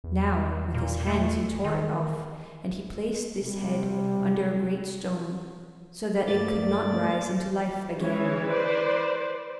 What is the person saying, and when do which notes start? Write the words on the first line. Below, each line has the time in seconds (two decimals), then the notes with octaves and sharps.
Now, with his hands he tore it off, and he placed this head under a great stone so that it could not rise into life again.
0.04 E2
0.74 A#2
1.06 A3
1.64 D#3
3.41 C3 G3
6.27 G2 A3 A#3 D5 A6
7.99 E3 G#3 C#4 C#5
8.48 B4 C5 D5